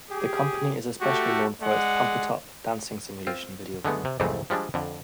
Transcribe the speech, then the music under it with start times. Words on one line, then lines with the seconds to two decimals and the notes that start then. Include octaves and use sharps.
The company is especially known for its "Pump It Up" dancing simulation video game.
0.11 G4 G#4
1.02 A3 F#4 G4 A4
1.62 G#3 D5 F#5
3.27 C4 F4
3.85 D3 G#3 A3 B3
4.05 C3
4.20 C2 F2 G#2 E3 A3 C4
4.50 F3 G3 G#3 D4
4.74 F2 D3